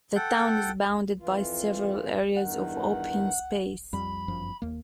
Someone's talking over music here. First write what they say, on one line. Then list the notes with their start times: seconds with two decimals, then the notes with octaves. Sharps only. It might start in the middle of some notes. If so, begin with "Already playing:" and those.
The town is bounded by several areas of open space.
0.15 A4 F#5 G5
1.19 F2 E3 F4
2.37 E2 G2 D#3 F#5
3.93 F2 G3 B5
4.28 G1 F#2 F3
4.62 D#2 A#3